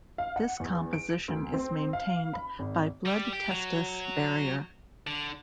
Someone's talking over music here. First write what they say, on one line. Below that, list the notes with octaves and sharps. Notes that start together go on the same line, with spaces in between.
This composition is maintained by blood-testis barrier.
F5
F#5
E2
D7
D7
D2
C4
F5
B5
G#1
G3
G4
F#3
D3